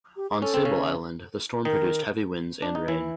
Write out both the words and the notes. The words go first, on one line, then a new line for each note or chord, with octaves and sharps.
On Sable Island, the storm produced heavy winds and rain.
G4
G#4
C#4 A4
C4
C#3 C#4
D#3 D#4 A#4
D4
D#4
E3 E4 C#5